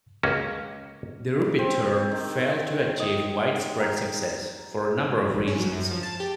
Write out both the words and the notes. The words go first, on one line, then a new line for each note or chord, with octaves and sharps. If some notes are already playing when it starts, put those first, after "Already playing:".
The Ruputer failed to achieve widespread success, for a number of reasons.
C#2 A#3 C#4 F#4
C4
D#3
D#5
A#5
A1
C#4
F#3
F#2
F3
A5
G4